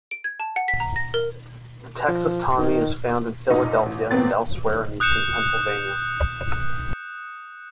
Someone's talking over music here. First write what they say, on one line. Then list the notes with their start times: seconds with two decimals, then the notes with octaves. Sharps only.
The Texas Tommy is found in Philadelphia and elsewhere in Eastern Pennsylvania.
0.11 D7
0.24 G#6
0.40 A5
0.56 F#5
0.68 B6
0.80 A#5
0.96 A#6
1.14 A#4
2.08 F3
2.58 D#3
3.50 F1 A#1 D#4
3.86 A1
4.11 A1 E2 B3 C4 A6
5.00 D#6 F#6 G6 C#7 E7